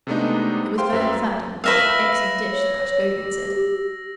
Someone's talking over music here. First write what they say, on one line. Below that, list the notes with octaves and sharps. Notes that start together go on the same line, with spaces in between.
It was very fat and would make an excellent dish, the Patagonian said.
C3 G#3 A3 B3 D4 D#4
C5 F5 G5 C6
F#2 B4 E5
B4 E5 F5 E6 A#6
C#5
G4